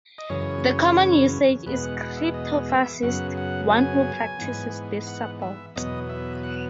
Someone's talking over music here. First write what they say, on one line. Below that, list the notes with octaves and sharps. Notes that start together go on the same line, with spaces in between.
The common usage is "crypto-fascist", one who practices this support.
D#5
F#2 C#3 E3 C#5
E2 B2 G#3 B3 B4
F#5
F#5
E5
D#5
E5
F#2 C#3 F#3 B3 F#5
F#5
G#5
G#2 E3 B3
F#5
E5
E2 B2 F#3 B3 D#5
E5
F#5